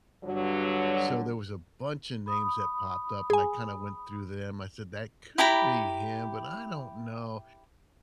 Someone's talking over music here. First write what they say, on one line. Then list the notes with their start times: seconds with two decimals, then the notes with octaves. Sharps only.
so there was a bunch o' names that popped up and I kinda went through them. I said, "That could be him, but I don't know,"
0.25 G2 D3 F#3
2.26 B5 D#6
3.30 G#4 G#5
5.38 E4 G4 A#5 B5